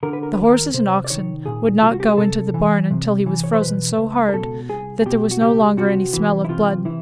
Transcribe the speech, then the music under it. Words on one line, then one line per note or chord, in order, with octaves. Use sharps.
The horses and oxen would not go into the barn until he was frozen so hard that there was no longer any smell of blood.
D3 A#4
B4
A#4
B4
D#2
A#4
C3 C5
D5
D#3 C#5
A#2 G#4
C2 F4
F#4
G4
G#4
C3 A4
E3
C3
E3
C#5
C5
B2 B4
C#2
A#4
B2 A4
C2 G#4
G#4
B2 G4
F#4
C#2 G4
C3 F#4
E3
E4
C3 F4
E3 E4